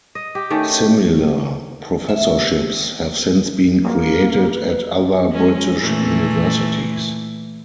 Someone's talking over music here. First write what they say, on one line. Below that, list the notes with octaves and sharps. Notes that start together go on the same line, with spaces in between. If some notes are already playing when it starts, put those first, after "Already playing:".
Similar professorships have since been created at other British universities.
D#5
G4
D#3 A3 C#4
E5
A#3
B4
G#3 C#4
A#2 E3 A3